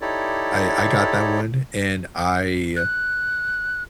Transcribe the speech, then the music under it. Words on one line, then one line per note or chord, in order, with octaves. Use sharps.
I I got that one and I
D#4 E4 G4 A4 C#5 D5
F#6